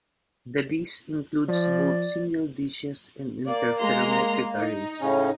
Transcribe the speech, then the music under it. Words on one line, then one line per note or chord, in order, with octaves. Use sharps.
The list includes both single dishes and interferometric arrays.
F3 D5
A#3 D5
G#3 A#5 C6
D#4
A2 C#3 C#4